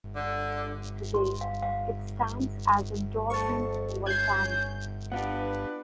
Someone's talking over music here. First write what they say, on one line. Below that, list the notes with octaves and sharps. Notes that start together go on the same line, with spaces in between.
Today, it stands as an dormant volcano.
D3
C6
F5
F5
F2 A5 C#6
C#4 G6 G#6 C7
B3 D4 F4 G4 B4 F#5